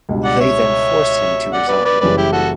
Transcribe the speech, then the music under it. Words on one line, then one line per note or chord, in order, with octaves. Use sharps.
They then forced him to resign.
C#2 B2 G3 D4
D5 F#5
C#5 E5
D5 F#5
B4 D5
B4 D5
F#1 F#2 E3 G3 C#4 B4 D5
E4 G4
F#4 A4